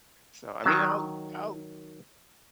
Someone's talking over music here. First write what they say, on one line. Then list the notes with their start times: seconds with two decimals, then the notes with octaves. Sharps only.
so, I mean, I'll I'll
0.64 D#3 F#3 A5